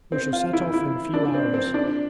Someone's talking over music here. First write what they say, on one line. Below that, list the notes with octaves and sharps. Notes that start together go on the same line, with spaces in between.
"We shall set off in a few hours."
C4
F4
E4
E4
D4
C4
C4
D4